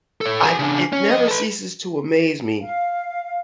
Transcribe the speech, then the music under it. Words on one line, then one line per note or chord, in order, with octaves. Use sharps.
I it never ceases to amaze me
A4 C#5
G4 G#5
C#3 D4
C#4
F2 D#5
A4 B4
F5